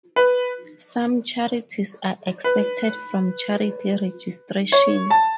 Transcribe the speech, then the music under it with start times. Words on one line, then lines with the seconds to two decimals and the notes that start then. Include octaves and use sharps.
Some charities are 'excepted' from charity registration.
0.16 B4
2.44 B4
4.72 C#5
5.10 A5